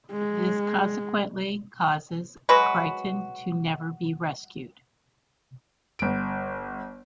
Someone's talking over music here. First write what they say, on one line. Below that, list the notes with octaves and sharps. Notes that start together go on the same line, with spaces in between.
This consequently causes Kryten to never be rescued.
G#3
F#3 G#3 F#4 B4
G1 D7